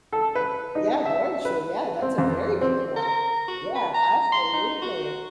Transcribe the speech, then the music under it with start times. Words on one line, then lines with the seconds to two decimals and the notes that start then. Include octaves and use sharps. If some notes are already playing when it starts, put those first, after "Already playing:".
Yeah, very true. Yeah, that's a very good point. Yeah, absolutely.
0.13 A4
0.35 B4
0.75 D#4
1.05 E5
1.45 B4
2.02 C4
2.18 F2
2.61 C4
2.96 A#4
3.48 F#4
3.75 B4
3.94 A#5
4.32 C6
4.53 D#4
4.82 F#4